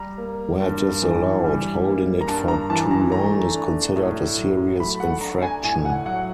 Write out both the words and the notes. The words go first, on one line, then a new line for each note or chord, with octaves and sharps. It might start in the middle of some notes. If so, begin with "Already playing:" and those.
Where it is allowed, holding it for too long is considered a serious infraction.
Already playing: G3 A#5
A#3
G2
E3
G3
A#3
A#5
G2 A5
A#5
E3 A5
A#5
A3 A#5
D4
A2
F#3
A3 B5
F#5
D4 A#5
G#5
A2 G#5
F#5
F#3 F#5